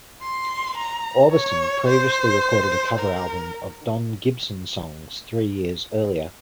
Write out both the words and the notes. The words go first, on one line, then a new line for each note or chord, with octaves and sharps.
Orbison previously recorded a cover album of Don Gibson songs three years earlier.
C6
A#5
C#5
C5
A#4